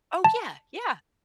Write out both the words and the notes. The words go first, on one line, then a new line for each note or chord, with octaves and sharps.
Oh, yeah, yeah.
A5